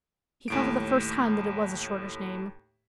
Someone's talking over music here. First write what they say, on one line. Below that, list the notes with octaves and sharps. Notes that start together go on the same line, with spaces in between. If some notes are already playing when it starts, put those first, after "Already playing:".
He felt for the first time that it was a shortish name.
D#2 A2 D7